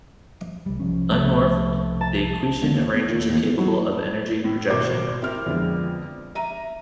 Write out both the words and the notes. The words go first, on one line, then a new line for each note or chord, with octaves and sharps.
Unmorphed, the Aquitian Rangers are capable of energy projection.
C2 G3
C2 F3 C#4
A3
A5
E1
D#2
E2
D#2
D#2
E2
F#3
A2
A2
G#1 B2 F#4 A#4 C5 D6
C4 E4 A#4 F6
F2 D3 G#3 B3
E5 A#5 D#7